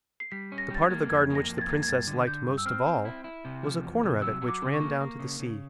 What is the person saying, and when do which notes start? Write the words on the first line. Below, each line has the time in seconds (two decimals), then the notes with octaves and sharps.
The part of the garden which the princess liked most of all was a corner of it which ran down to the sea.
0.20 C7
0.32 G3 B6
0.52 C#4
0.58 A#6
0.70 G3 A6
0.84 G#6
0.90 A#3
1.09 F2 G#6
1.30 A#3
1.35 A#6
1.49 F2
1.58 A6
1.61 G#6
1.68 A#3
1.83 G#6
1.88 G2 A6
2.07 D3
2.27 D3 G6
2.47 G2
2.58 E6
2.66 C4 F6
2.86 C4
3.05 E4
3.24 E4
3.45 C3
3.63 F3
3.83 E2
4.03 C3
4.22 F#3 E6
4.42 F#3
4.48 D6
4.62 C#3
4.74 C#6
4.80 A#3
5.01 A#3
5.19 C#3
5.39 C#3